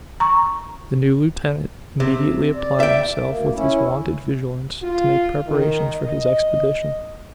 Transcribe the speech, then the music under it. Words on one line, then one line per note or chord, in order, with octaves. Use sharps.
The new lieutenant immediately applied himself with his wonted vigilance to make preparations for his expedition.
A#5 C#6
C3
D5
E5 G5
D2 A#3
C#4 E4
F4
D#3
D#5